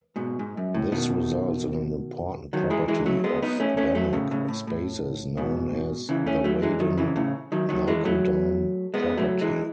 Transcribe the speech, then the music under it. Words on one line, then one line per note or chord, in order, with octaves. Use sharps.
This results in an important property of Banach spaces known as the Radon-Nikodym property.
G#2 B2
G#2
F#2
A2
B2 D#3
D#3 F#3
E3 G#3
E3 G#3
F#3 A3
G#3 B3
B3 D#4
A3 C#4
A3 C#4
F#3 A3
A2 C#3
A2 C#3
A2
A2
G#2 B2
C#3 E3
A3 C#4
F#3 A3
E3 G#3
D#3 F#3
C#3 E3
A2 C#3
D#3 F#3
D#3 F#3
E3 G#3
F#3 A3
G#3 B3
F#3 A3
E3 G#3